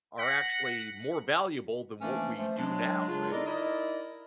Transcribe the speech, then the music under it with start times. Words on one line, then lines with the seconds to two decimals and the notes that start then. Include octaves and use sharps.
are actually more valuable than what we do now, right?
0.19 F#5 A#6 B6
2.00 E3 F3 A3 A#3 C#4 D4
2.37 F3 A3
2.57 F#3 G#3 D4
3.07 C#3 D4 F4
3.32 D#4 E4 A4 A#4 D5 D#5
3.46 D#4 E4 A#4 D5 D#5